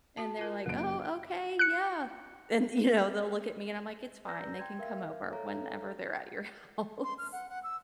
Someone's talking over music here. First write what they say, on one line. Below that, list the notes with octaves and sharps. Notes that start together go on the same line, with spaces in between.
And they're like, "Oh, okay, yeah." And, you know, they'll look at me, and I'm like, "It's fine. They can come over whenever they're at your house."
F#4 A5
F4 A#4
F#1 A#3 D7
F#6 C#7
B4 D5 A#5 E6 G6 A#6
G5 C6 G#6
A#4 E5 F5
A4 C#5 E5 F5 A#5
C6
F6
F#5
F#5
E6